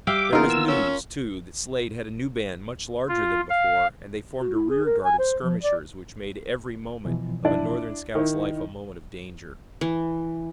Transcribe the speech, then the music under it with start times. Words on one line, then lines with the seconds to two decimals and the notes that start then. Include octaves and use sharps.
There was news, too, that Slade had a new band much larger than before, and they formed a rear guard of skirmishers which made every moment of a Northern scout's life a moment of danger.
0.07 G3 E5 F5 G5 D6
0.33 E3 A#3 B3 D#4 F4 A#4
0.50 E6
0.68 C#4 E6
3.09 F4
3.50 F5
4.40 F#4
4.55 E4
4.70 G#4
4.86 A#4
5.04 G#5
5.19 C5
5.43 F3
5.63 D5
7.05 B2 E3 F3
7.45 D4 E4 D5
8.15 D#3 D#4 E4
9.81 E3